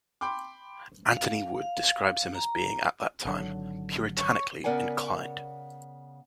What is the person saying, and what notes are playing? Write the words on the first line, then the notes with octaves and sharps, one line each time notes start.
Anthony Wood describes him as being at that time "puritanically enclin'd".
G5 B5 C6 D6
F5
F5
A#5
G#1 D3 F#3
C#5 C#6
C#3 B3 A#4 D5 F#5 G#5